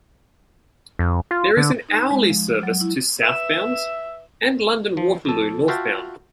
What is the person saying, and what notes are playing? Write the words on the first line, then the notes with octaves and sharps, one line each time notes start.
There is an hourly service to southbound and London Waterloo northbound.
F2
F4
D3
D#4
G#3
F3
F#3
E4
B4 E5 E7
F3
F2 A4
F4 F#4 E5 F5 G5 A5